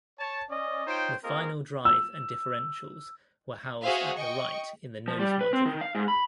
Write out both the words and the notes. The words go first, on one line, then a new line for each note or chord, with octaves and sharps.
The final drive and differentials were housed at the right in the nose module.
C#5 A5
C#4 D5 D#5
D#4 F4 C5 C#5 G5
A#3 C4 F4 G#4 A#4 D#5
E6
F#4 G#4 C5 E5 F5
D#5 G5 C#6
F3
G3
B4
C4
D#3
F5
G#2
B5